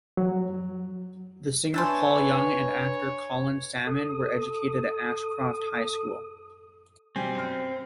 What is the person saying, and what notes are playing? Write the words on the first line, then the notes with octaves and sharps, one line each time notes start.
The singer Paul Young and actor Colin Salmon were educated at Ashcroft High School.
F#3
D4 B4 C#5 E5 G#5 A5 C6
A4 D#6
B2 G3 C4 G#5
F#2 F6